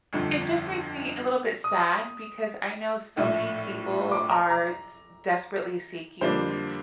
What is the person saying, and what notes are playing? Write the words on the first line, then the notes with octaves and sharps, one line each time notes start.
It just makes me a little bit sad because I know so many people are t desperately seeking
G1 F2 D3
D#6
A#1 A2 A3
D6
A#5
A#5
F2 D3 G3 A#3 D4 C5